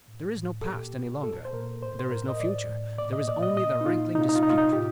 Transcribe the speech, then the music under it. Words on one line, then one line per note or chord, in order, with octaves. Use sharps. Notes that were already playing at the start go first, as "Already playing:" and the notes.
There is no past any longer, there is no future, there is only the rankling dispute.
A2
A2
A4
A#2 G4
A#2
A#2 A4
C5
A#2 A#4
A2 C5
C5
A2 A#4
D#5
A2 D5
A2
A#2 D5
D#5
A#2 D5
D#5
A#2 D#5
D#4
A#2 F4
C3 D#4
F4
D#4
F4
C3 D#4
F4
D#4
A2 G4